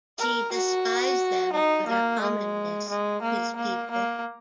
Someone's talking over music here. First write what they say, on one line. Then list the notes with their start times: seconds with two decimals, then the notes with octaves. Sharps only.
She despised them for their commonness, his people.
0.18 A#4
0.52 F#4
1.53 D#4
1.87 A#3
2.21 G#3
2.89 G#3
3.22 A#3
3.56 A#3
3.91 A#3